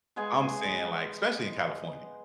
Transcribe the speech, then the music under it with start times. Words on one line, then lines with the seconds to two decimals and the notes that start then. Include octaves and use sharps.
I'm saying, like, especially in California,
0.16 G#3 B3 G#4 G#5